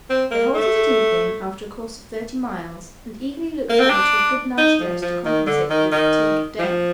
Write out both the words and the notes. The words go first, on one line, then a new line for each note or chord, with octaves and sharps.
They halted at evening after a course of thirty miles and eagerly looked forward to a good night's rest to compensate for the fatigue of day.
C4
A#3
A3
A#3
C4
D4
D#4
F3
F3
D#3
D3
D#3
D#3
F3